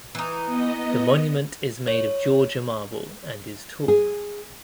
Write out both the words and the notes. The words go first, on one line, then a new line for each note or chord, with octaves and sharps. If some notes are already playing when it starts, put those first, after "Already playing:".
The monument is made of Georgia marble and is tall.
E3 D#4
B3 D#5
C#5
G#4